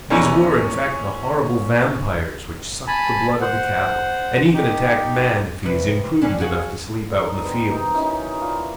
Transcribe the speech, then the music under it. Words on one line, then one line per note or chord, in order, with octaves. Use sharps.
These were, in fact, the horrible vampires which suck the blood of the cattle, and even attack man if he is imprudent enough to sleep out in the fields.
A#1 E2 C#4 D#5 A#5
G#5 A5 B5
C5 F#5
D#4 G4
F2 C3 B4
F2 C#4 D4
F#4 G#4 F5
D3 D#4 C6
B3 C4 A#4 C5
D#4
F#3 C#4 D#4 E4
F4 D5
E4